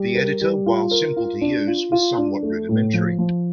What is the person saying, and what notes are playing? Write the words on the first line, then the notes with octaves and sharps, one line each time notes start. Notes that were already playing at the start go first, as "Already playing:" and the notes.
The editor, while simple to use, was somewhat rudimentary.
Already playing: G3
A#4
G3
F4
A#4
F4
D4
F4
F4
D4
A3
A2
F3
F3